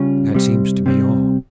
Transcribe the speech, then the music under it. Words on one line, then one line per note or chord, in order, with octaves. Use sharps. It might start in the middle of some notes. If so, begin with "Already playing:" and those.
That seems to be all.
Already playing: C#3 G3 C#4 F4
C3 G3 C4
C3 G3 C4